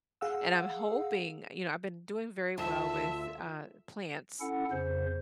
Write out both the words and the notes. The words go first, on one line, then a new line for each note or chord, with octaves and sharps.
and I'm hoping you know, I've been doing very well with, uh, plants,
G#4 F5 F#5 E6
D2 F4 E5 A5
C#4 E4 A4 F#5
F2 C#3 C5